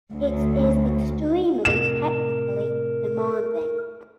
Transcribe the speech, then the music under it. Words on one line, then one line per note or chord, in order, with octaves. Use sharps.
It is extremely technically demanding.
D2
A2 C3 A#4 E7